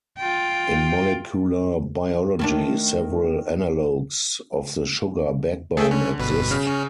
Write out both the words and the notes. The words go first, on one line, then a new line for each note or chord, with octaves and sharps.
In molecular biology, several analogues of the sugar backbone exist.
F4 G5
D#3 A3 D4
A3 G#4 A4 E5 G5
D3 C#4
G1 B2 B4
C#3 F6
C#4